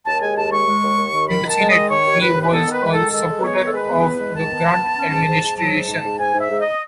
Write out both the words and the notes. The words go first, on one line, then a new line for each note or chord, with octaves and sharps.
In the Senate he was a supporter of the Grant Administration.
D#2 A5
G#3 G#5
D#2 A5
G#3 C#6
G#3
D#2
D#2
D#3
D#3 B5
D#3
A5
G#3
D#3 D#5
D#3 C#5
D#2
D#2 B4
D#3
B4
B3 A4
D#3 B4
G#3
A4
D#3
G#3 A4
G#3
B4
B3 C#5
D#3
A4
G#3 B4
B3
E2
G#3
D#3 A5
B3
B3
B3
C#4
G#2
G#2
G#2
F#3 A5
G#2
G#2
G#2
G#2 G#5
G#2
E5
G#2
D#5